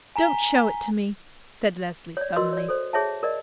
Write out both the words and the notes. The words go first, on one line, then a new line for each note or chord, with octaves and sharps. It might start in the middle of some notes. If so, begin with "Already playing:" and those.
"Don't show it to me," said Leslie suddenly.
G#5 A#5 B6 G7
C#5 D5
F#4 A#4 B4 D#5 C6 E6
C#5 D5
A4 C5
G#4 C#5 E5 F#5 A5
A#4 D5 D#5